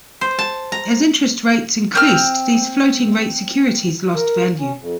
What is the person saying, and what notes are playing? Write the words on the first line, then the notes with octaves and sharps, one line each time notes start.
As interest rates increased, these floating rate securities lost value.
C5
A5
A#5
C4 F6
A#4
C#4
F2